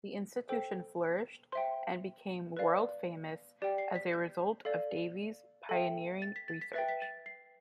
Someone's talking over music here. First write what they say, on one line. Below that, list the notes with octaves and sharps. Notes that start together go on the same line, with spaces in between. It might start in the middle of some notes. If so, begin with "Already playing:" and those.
The institution flourished and became world-famous as a result of Davy's pioneering research.
A4 C5 G5
C5 E5 G5 C6
B4 D5 F5
G4 D5 G5
C7
B6
G6
A4 D5 F5
A4 E5 G5
A6
B6
A6
B6
B4 E5 G5 A6
B6
A6
C7